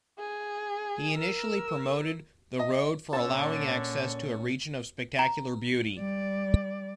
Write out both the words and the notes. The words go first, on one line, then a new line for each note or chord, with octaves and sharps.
He initially promoted the road for allowing access to a region of spectacular beauty.
G#4
A#4 E6
D#5
A#2 D3 C#4 A5 E6
A#5
G3 D5